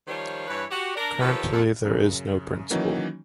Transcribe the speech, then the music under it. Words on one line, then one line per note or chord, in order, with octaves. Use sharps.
Currently there is no principal.
D#3 F3 G3 F4 C5 C#5
G2 E3 B4 C#5
F#4 G4
D4 A#4 D5
D#3 F3 G4 A4 B4 C#5
F2 A4 A#4
F#2 C#3
D#3 E3 F#3 A#3 C#4 D#4